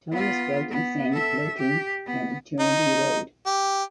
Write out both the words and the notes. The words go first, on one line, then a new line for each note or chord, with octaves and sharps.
Thomas wrote and sang "Floating" and "Eternity Road".
B3 F4
B3
A4 E5
G4
B3
D#4
G4